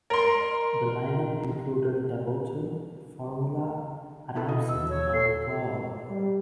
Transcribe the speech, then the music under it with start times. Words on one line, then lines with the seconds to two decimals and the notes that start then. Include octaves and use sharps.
The lineup included Devoto, Formula, Adamson and Doyle.
0.10 A#4 C6
4.36 B3 E4 A4
4.49 B2 D#5
4.69 D#2 E6
4.89 C#5
5.14 A4 C7
6.09 G3